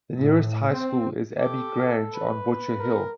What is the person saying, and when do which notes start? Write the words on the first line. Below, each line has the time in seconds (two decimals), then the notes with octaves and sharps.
The nearest high school is Abbey Grange on Butcher Hill.
0.15 A2
0.71 C4
1.39 G4 A4
2.14 B4
2.80 A#4